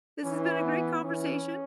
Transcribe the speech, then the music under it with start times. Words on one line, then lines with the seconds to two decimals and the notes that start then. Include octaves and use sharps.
this has been a great conversation.
0.24 E3 C#4
0.64 B3
1.03 E3 C#4